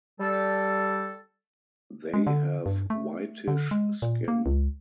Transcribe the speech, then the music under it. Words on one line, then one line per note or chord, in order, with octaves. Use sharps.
They have whitish skin.
G3 A4
G#3
D3
G2
A3
D3
G#3
A#2
A#3
C#2